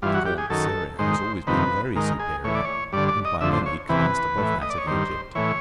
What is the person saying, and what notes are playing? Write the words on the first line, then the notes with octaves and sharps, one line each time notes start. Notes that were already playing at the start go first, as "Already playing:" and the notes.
The corn of Syria has always been very superior, and by many classed above that of Egypt.
G2 E3 F4
F#4
G4
G#4
F#2 D#3 A4
G#2 D#3 C5
F2 C3 D#3 B4
G#2 D#3 A#4
G#4
A2 E3 C#5
D5
C#5
G2 D3 D5
D5
D#5
F2 D3 E5
C5
C#5
E2 C3 E3 B4
A2 E3
D#5
D5
C#5
G2 D#3 C5
A2 E3 C#5